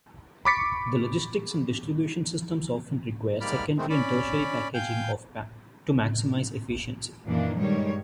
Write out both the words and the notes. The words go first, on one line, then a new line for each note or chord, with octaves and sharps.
The logistics and distribution systems often require secondary and tertiary packaging to maximize efficiency.
B5 C#6 D6 A6 B6 C#7
G#2 G3 A#3 D5 B5 F6
D#3 G#3 A3 C4
C#4 D5 B5
F5 G5 G#5 G6
F#2 A#2 D#3 E3 A#3 D4
G2 D#3 G3 G#3 C#5